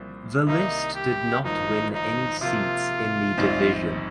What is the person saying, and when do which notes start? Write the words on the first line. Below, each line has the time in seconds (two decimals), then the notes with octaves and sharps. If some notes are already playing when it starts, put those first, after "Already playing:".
The list did not win any seats in the division.
Already playing: C2 A#2 F3 C4
0.47 C2 C3 D#3 G3 A#3 D#4
0.95 G4
1.44 G#1 G2 F3 A#3 D#4
1.93 D#4
2.41 C3 F3 A#3 F4
3.38 A#1 G#2 G3 C4 D#4